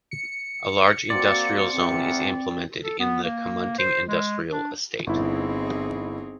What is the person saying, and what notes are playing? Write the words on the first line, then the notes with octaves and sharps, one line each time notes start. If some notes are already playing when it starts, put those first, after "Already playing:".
A large industrial zone is implemented in the Kamunting Industrial Estate.
C#7
A#3 C4 F#4 D5 C6
E2 G#2 C4 G5
A4
B3
A#3
C5
G#3
D4
G1 C4 D#4 E4 G#4